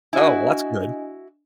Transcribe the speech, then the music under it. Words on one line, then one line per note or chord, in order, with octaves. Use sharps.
Oh, well, that's good.
D4 E4 F#4 D#5 G#5